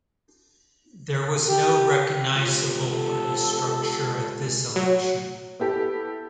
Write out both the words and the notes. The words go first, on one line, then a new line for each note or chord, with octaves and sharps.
There was no recognisable party structure at this election.
G4
G#3 F4 G4
A4
F#3
B3 E4 G4 A4